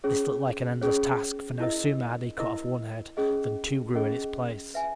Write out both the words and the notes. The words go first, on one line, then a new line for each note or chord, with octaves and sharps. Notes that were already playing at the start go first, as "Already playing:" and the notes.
But this looked like an endless task, for no sooner had he cut off one head than two grew in its place.
C#4 G#4 C#5
C#4 G#4 C#5
E4 A#4 D#5
E4 A#4 D#5
C#4 G#4 D#5
C#4 G#4 D#5
B4 E5 G#5